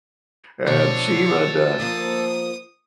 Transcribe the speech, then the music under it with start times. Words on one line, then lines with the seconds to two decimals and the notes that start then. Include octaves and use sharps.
And she would, uh
0.67 B2 F3 A4 C#5 D5
1.80 F3 A#3 D4 D#6